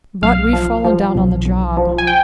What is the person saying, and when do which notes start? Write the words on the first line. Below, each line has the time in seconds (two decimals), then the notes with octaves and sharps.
But we've fallen down on the job.
0.22 B1 F5
0.53 F3
0.84 F3
1.15 B1
1.45 B1
1.77 F3
1.98 G#5
2.07 G5